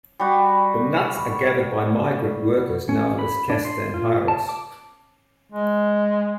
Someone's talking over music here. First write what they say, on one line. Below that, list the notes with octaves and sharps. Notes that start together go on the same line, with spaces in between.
The nuts are gathered by migrant workers known as "castanheiros".
G3 F#4
C#4
B5
D4
C6
F4
A5
D6
G#3